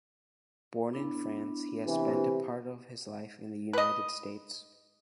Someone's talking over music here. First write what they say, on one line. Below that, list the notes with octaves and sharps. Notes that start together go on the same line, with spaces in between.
Born in France, he has spent a part of his life in the United States.
B3 D4 E4
C3 E3
B4 D#5